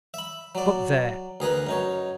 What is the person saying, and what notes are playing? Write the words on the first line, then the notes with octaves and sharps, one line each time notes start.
But there!
E5 B5
F#3 D5
D2 G#4 A#4 B4
F#2 D#4 C#5